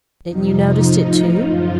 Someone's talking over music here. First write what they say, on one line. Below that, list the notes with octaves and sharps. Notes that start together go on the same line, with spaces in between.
'Then you noticed it too?'
F2 C3 F3 D#4
A2 F3
F#2 C#3 F3 F4